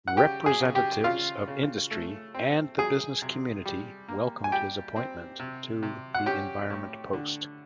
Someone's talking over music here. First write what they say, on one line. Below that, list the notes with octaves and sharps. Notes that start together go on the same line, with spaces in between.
Representatives of industry and the business community welcomed his appointment to the environment post.
F#5
C#3 G4 G5
G#4 G#5
C#3
G4 G5
C#3 F4 F5
C#3
A3
C4
F#3 G#4 G#5
C3
G3
A#3
G#5
G3 G4 G5
C4
C3
C3
F#5
C#4 G4 G5
A2
D3